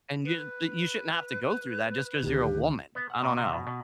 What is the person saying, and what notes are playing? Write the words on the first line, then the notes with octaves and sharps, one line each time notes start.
and you you shouldn't have to go through that just 'cause you're a woman. I don't know.
B4
D2 D#3 G4
B3
F#5
A#2
C3
B2
B2